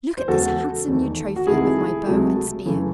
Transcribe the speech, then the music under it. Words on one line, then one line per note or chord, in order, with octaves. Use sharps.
"Look at this handsome new trophy of my bow and spear."
C5
E2 C#3 G#3 F#4 A4
E2 D#3 A3
F#4
C#2 C3 D#3 A3 E4 G#4
C#2 C3 F#3 A3
F#2 C#3 E3 A3